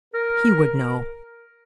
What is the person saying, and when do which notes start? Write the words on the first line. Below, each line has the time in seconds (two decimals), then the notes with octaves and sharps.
He would know.
0.14 A#4